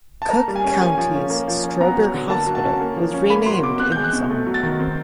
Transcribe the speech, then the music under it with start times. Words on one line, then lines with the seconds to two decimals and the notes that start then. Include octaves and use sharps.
Cook County's Stroger Hospital was renamed in his honor.
0.22 A5
0.30 A#3 A#5
0.48 G3
0.56 G#5
0.64 C#4
0.81 A#3 G#5
0.97 F3
1.15 C#4
1.30 A#3
1.48 F3
1.64 C#4
1.80 B3 A#5
1.97 F#3
2.14 D3
2.30 A#3 A5
2.47 F#3
2.55 A5
2.64 C#4
2.80 A#3
2.96 F3
3.13 C#4
3.30 A#3 B5
3.46 F#3 C6
3.63 B2 D6
3.79 C4 F#6
3.92 G#3 G6
4.04 F#6
4.13 B2
4.29 A3
4.47 F#3
4.54 A6
4.63 D#3
4.79 C4